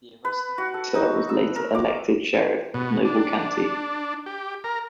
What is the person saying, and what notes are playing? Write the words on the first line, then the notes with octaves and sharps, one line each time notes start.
The arresting officer was later elected sheriff of Noble County.
B4
F#4
A4
D#4
E6
A#4
D6
B2
D4
G4
A#4